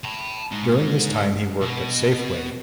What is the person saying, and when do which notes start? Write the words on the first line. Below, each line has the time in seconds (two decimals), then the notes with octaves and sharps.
During this time he worked at Safeway.
0.05 A5 B5
0.52 G#3 D#4
1.61 B2